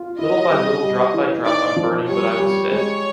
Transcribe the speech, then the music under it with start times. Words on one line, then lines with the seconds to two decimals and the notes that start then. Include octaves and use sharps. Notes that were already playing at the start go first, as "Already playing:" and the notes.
Little by little drop by drop I’m burning but I will stay.
Already playing: F4
0.19 E4 D#5
0.50 G3
0.83 G3
1.14 E3
1.45 D#4 D5
1.76 F3
2.08 G3 C#5
2.40 G3
2.71 G#3 C#5